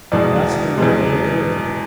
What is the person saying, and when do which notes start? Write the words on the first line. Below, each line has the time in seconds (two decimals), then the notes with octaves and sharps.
I asked them where they were going.
0.12 E2 B2 G#3 D5
0.78 E2 B2 G#3